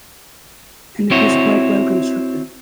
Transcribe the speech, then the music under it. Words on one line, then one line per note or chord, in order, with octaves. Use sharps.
And it is quite well constructed.
C4 E4 F#4 C#5